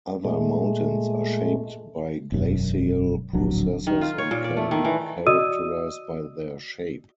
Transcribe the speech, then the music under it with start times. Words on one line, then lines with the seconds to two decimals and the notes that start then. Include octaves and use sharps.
Other mountains are shaped by glacial processes and can be characterized by their shape.
0.25 A#2 G#3 A3
2.32 E1 F#2
3.33 D1 A#1 F#3 D4
3.87 D#3
4.01 F4
4.18 C#5
4.31 A#2
4.44 D5
4.57 A3
4.71 D#3
4.85 E3
5.27 F#4 D5 D#5 D#6 E6 D#7